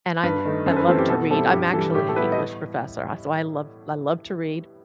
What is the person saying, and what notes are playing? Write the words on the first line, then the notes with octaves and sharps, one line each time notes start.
and I I love to read. I'm actually an English professor, so I love I love to read,
G2 B4
D#3 A3 D#4
F#2 C5
A4
B4
E3 A3 C4 E4 A4
G4
B2 A4
G3 C4 E4 A4
G2 G4
E3 G3 A4
A2 G4
A4
G3 B3 E4 B4
D#5